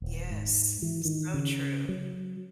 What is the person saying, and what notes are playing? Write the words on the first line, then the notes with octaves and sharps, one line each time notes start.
Yes, so true.
D#1
G#2
E3
D#3
C#3
F#3